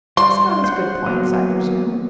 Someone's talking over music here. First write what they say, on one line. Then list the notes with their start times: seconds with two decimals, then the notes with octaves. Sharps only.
"He's got his good points, I presume."
0.17 G3 C6
0.64 C5 F#5
1.06 F#3 A#3 B3